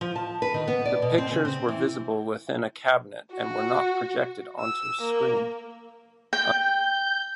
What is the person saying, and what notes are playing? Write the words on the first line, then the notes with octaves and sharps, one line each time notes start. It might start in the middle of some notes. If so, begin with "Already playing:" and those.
The pictures were visible within a cabinet, and were not projected onto a screen.
F3
A5
B4
D#3
B3
D5
B2
C4
C#3
C4
E3
F#4
E6
A#3
G5 G6